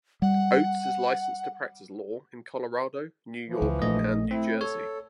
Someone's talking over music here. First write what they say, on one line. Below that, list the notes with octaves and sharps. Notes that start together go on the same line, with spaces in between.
Oates is licensed to practice law in Colorado, New York, and New Jersey.
G3 F#5
E3 F3
C#2
A#1 A3 D#5
C4 E4
A4 C#5